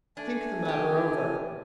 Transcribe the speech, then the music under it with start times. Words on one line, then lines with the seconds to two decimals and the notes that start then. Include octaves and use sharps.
Think the matter over!
0.17 A3 D4 G#5
0.65 B3 G4